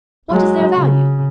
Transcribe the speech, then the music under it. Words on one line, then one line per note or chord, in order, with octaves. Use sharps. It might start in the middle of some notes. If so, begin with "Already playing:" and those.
"What is their value?"
F#3 G#3
C#3